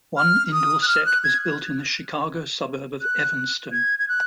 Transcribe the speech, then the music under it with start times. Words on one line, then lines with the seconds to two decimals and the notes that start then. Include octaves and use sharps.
One indoor set was built in the Chicago suburb of Evanston.
0.18 F6
0.53 D#6
0.82 F#6
0.88 F6
1.06 F#6
1.24 G#6
3.02 F#6
3.73 G#6
3.99 G#6
4.09 F#6